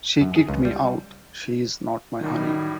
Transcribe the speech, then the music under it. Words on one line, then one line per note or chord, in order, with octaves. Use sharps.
She kicked me out, she's not my honey.
F#2
G#4
C#2
G3
F#2 A2 D#3 G3 D#4